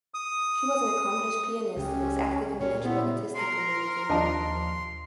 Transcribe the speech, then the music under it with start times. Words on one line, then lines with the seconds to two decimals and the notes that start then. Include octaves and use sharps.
She was an accomplished pianist and was active in the Lynchburg artistic community.
0.14 D#6
1.76 C#2 C#3 C#4 G4
2.60 A#2 A#4 C#5
2.83 B3 E4 C5
3.34 A#4 A#5 C6
4.09 D#2 F3 D4 D#5 A5